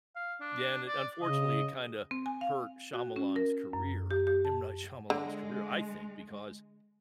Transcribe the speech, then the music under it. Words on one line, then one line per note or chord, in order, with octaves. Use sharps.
Yeah, and it unfortunately, it kinda hurt Shyamalan's career M. Night Shyamalan's career- I think- because
F5
D4
D5
C#3 D#5
C4
G#5
F5
F#4
C#4
A#4
F#2
G4
G4
A5
D3 G#3